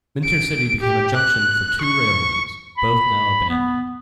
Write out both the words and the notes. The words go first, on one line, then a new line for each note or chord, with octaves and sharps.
Minter City became a junction for two railroads, both now abandoned.
D7
G4
F#6
C#6
B5
B3